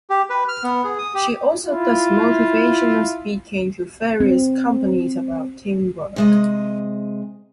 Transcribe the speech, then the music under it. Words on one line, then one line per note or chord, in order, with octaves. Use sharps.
She also does motivational speaking to various companies about teamwork.
G4
B4
F6
B3
G#4
D#6
G4
E4 F4
C4
C3 G#3 D#5